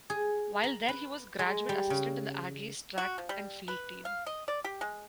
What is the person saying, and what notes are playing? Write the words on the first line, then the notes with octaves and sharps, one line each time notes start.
While there he was graduate assistant on the Aggies Track and Field team.
G#4
A#5
B4
G#3
G3
C#3
F#4
F3
G3
B4
F5
D#5
D5
G4
G#3